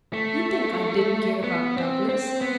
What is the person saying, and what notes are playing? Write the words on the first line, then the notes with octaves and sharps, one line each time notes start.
You think I didn't care about Douglas?
A3
B3
C4
C4
B3